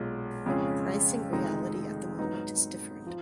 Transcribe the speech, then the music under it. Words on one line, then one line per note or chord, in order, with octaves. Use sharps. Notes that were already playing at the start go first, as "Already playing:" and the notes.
Pricing reality at the moment is different.
Already playing: B1 A#2 G#3
F2 C#3 G#3 C#4 G#4
F1 F2 D#3 G#3 D#4
G#2 F#3 B3 D#4
F3